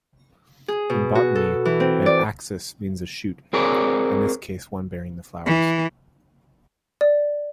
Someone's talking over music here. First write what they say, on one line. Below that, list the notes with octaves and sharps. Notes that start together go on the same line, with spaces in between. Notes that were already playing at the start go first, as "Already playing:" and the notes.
In botany, an "axis" means a shoot, in this case one bearing the flowers.
G#4
B2
F#4
A4
E3
C4
D5
C4 G#4 A#4 C#5 D5
E3
D5